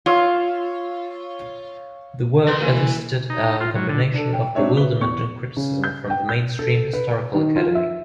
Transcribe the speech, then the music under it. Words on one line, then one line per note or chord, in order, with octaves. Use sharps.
The work elicited a combination of bewilderment and criticism from the mainstream historical academy.
F4 C#5 E5 F5
E3 A#4 B4 G5 C6
E3 A#3
D#4
F4
F#3
D3
D4 A4
G5
F#3 C4 D4 C#5 E5
B4 G7
E2 C#6
C#3
G6
G5
G6
A4
B4
D#3
F4
E5